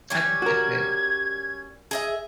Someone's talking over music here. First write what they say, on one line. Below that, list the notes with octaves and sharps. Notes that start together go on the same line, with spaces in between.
I think that's good.
G3 C#4 G#6
F#4 A#4
G#4 D#5 E5